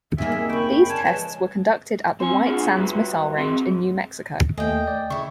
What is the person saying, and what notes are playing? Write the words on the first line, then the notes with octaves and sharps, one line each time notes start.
These tests were conducted at the White Sands Missile Range in New Mexico.
D#2 E3 A#3 D#4 G#4 E5
C4
F#2 C#3 G5 B5 C#6
C#5 D5 F5 G#5 A5
E3 F3 G#3 B4 C#5 A5
C4 G#5
A#3 B3 D4 F4 G#4
G3 F#4 B4
C4 G#4 D#5
D#2 A3 D#5 G5 G#5
D5
C#3 E4 C#6